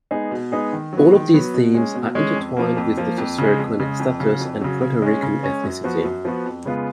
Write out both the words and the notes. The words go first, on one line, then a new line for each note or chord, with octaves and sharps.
All of these themes are intertwined with his socioeconomic status and Puerto Rican ethnicity.
G#3 B3 D#4 G#4
B2
G#3 B3 D#4 G#4
D#3
F#3 B3
D#3
F#3 B3
B2
G#3 C#4
B2
G#3 C#4
F2
F3 A#3
F2
F3 A#3
F2
C#3 G#3
F2
C#3 G#3
F2
C#3 F#3
F2
C#3 F#3
C#3
G#3 C#4
C#3
G#3 C#4
F#2
F3 B3 F#4
F#2
F3 B3 F#4
F2
C#3 G#3 B3 F4